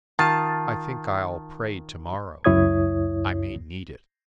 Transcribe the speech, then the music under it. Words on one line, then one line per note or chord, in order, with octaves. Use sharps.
I think I'll pray to-morrow; I may need it.
D#3 F4 A5
C#2 F#2 E4 C#5 D#6 G#6